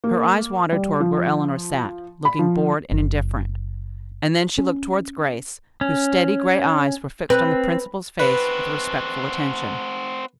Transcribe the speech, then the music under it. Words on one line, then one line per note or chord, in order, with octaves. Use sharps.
Her eyes wandered toward where Eleanor sat, looking bored and indifferent, and then she looked toward Grace, whose steady gray eyes were fixed on the principal's face with respectful attention.
A#3
G3
F3
B5
F3
F#1
C#4
C#4
C4 B4
C4 F#4 B4